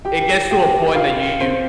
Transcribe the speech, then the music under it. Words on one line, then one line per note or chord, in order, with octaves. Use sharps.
It gets to a point that you
G4 G5
G4 G5
F4 F5
C4 C5